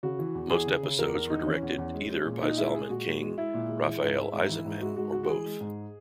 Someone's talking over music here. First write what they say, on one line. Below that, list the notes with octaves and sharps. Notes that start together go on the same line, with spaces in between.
Most episodes were directed by either Zalman King, Rafael Eisenman or both.
C#3 F#4
E3
E2
E2 G#4
C#3
C#3
E2 A#4
E2 A#4
E2 D#4
E3 C#4
E2
E2
G#3
G#3
A#2
A#2 D#4
G#3 E4
G#3 G#4
A#2 F#4
G#3
G#3
G#3 E4
A#2
G#3
E3
G#2
G#3
G#2
E3
G#2
G#3 F#4
G#2 F#4
G#3 F#4
F#4
E3 G#4
G#3
G#2